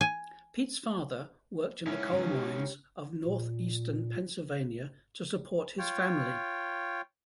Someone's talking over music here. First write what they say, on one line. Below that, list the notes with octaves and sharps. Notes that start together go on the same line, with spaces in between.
Pete's father worked in the coal mines of northeastern Pennsylvania to support his family.
G#5
G#2 C#4 E4
C#3 E3 F#3
G4 C#5
A#2
F4 C#5 G5